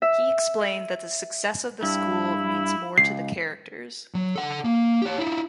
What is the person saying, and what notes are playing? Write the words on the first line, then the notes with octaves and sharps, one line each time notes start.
He explained that the success of the school means more to the characters.
E5
G2 E4
C#2 C7
F#3
A4 F#5
A#3
G4 C#5
D#4 E4